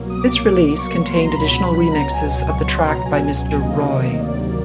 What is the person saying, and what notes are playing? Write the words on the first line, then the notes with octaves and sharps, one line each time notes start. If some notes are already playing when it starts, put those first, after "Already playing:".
This release contained additional remixes of the track by Mr. Roy.
Already playing: C2 B2 F#3 A#3
D#6
D6
C#6
C6
A#5
C#2 B2 F#3 B5
A#5
G#5
G#5
C#6
C#6
C6
B5
A#5
G#5
D2 C3 D#3 F#3 A#3 D#5
D5